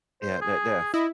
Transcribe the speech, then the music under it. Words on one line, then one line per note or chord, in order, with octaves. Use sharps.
Yeah, that th yeah
C5
G#4
E4 D#5